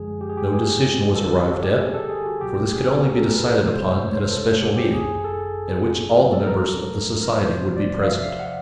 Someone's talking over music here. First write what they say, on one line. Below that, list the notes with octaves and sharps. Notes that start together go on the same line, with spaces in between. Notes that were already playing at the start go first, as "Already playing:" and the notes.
No decision was arrived at, for this could only be decided upon at a special meeting, at which all the members of the society would be present.
Already playing: F#2 D3 F3 G#3 G#4
G4
G#4
G4
G#4
G2 D3 G3 A4
A#4
G4
G4
G#4
A4
G#4
F#4
C#2 B2 F#3 G4
G#4
A#4
A4
A#4
B4
F2 C3 D#3 G#3 C5
C5
C#5
C5
A4
G4
G#4
G4
G#1 F#2 D#3 G#4
A4
E2 B2 F#3 A#4
A4
A#4
A#4
B4
E2 C3 F3 C5
D5
F5
E5
F5
F#5